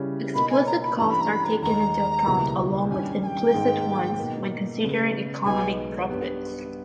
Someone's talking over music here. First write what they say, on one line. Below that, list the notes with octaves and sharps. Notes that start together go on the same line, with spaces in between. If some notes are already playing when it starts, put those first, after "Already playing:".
Explicit costs are taken into account along with implicit ones when considering economic profit.
Already playing: C#3 G3 C#4 E4 G4
B2 A#3 D#4 A#4 B5
G#5
A#5
B5
G2 E3 G3 C#4 G4 A#5
B5
A#5
B5
A#5
D#2 D#3 G#3 A#5
C#2 B2 G3 A#3 E4
G2 D#3 G3 C#4 G4 G#5
G#5
G5
G#2 D#3 A#3 D#4 G#4
B2 A#3 D#4
C#3 G#3 B3
B1 B2 G#3 B3 D#4 G#5
G2 G3 B3 G4